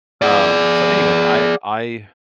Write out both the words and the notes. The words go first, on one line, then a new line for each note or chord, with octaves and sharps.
Um, so anyway, I I
G#4 D5